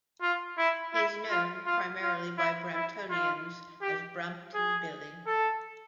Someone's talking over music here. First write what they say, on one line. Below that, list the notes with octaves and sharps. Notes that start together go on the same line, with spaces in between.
He is known, primarily by Bramptonians, as "Brampton Billy".
F4
E4
E4
F4
F4
F4
E4
E4
F4
G4
G#4
A4